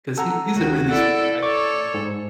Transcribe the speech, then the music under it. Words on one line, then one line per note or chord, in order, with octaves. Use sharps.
'cause he he's a really sweet guy, and,
A4 F#5 A#5
D#2 D#3 F#4
E4 A4 D5 F#5
A4 C#5 D5 C#6 D6
G#2